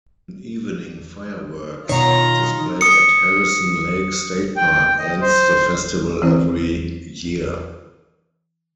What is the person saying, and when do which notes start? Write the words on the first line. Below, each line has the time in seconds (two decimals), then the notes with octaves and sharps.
An evening fireworks display at Harrison Lake State Park ends the festival every year.
1.89 B2 D#3 F4 C#5 A#5
2.81 D#6 C#7
4.56 G5
4.99 D#5
5.21 C5
6.22 E3 C4 E4 C5